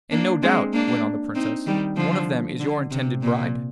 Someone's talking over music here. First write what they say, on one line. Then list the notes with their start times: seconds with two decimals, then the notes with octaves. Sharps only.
'And no doubt,' went on the Princess, 'one of them is your intended bride?'
0.11 A#3 D4
0.43 G#3 C4
0.73 A#3 D4
1.35 C4 D#4
1.66 D#3 G3
1.97 D3 F3
2.60 D3
2.91 C3
3.22 A#2